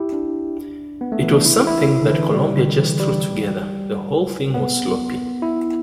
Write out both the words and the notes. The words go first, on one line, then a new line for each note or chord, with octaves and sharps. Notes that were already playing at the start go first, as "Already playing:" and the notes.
It was something that Columbia just threw together...The whole thing was sloppy.
Already playing: E4 G4
D4
B3
A3
E3
D4
E4
E4
D3
E3
G3
D3
E3
G3
B3
E4